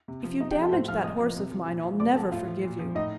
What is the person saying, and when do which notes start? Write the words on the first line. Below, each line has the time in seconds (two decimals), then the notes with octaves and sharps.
If you damaged that horse of mine I'll never forgive you.
0.08 C3
0.24 F3
0.40 C3 D#4 D#5
0.51 G4 G5
0.56 F3
0.61 A4 A5
0.72 A2 C5 C6
0.88 F3 F5 F6
1.04 C3 D#5 D#6
1.20 F3
1.36 C3
1.51 F3
1.67 A#2
1.84 F3
2.00 C3 D5 D6
2.16 F3 A4 A5
2.31 A2 F4 F5
2.48 F3
2.64 A#2
2.79 F3
2.95 A2 D#4 D#5